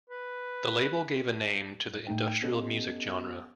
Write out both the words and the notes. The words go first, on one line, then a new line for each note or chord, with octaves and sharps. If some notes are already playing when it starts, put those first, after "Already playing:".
The label gave a name to the industrial music genre.
B4
A2 A3 D#4 G5
B3 C#4 G4 A4 D#5